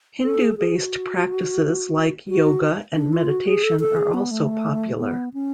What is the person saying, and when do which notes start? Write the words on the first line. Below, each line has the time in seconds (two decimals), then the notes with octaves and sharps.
Hindu based practises like Yoga and meditation are also popular.
0.24 A4
0.42 G#4
0.52 A4
0.58 G#4
0.76 F#4
2.28 F#4
2.96 D4
3.13 F4
3.29 F#4
3.47 G#4
3.63 A4
3.80 A4
3.97 G#4
4.14 B3
4.31 A3
4.99 B3
5.34 C#4